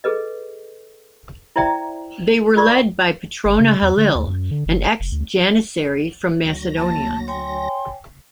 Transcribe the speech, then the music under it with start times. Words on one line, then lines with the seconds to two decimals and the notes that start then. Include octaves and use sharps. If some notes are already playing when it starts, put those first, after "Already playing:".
They were led by Patrona Halil, an ex-Janissary from Macedonia.
0.04 G#4 A4 B4 D#5
1.56 E4 C5 D5 E5 G5 A#5
2.57 F4 A#4 D5 C6 C#6
3.45 G1
3.60 C#3
3.82 E2
3.97 D3
4.15 D#2
4.27 F#2
4.51 D3
4.66 F#1
5.00 F1
5.12 D2
6.45 D2 F#3 A#6
6.77 A#3 A5
7.28 C#5 G5 G#5 C6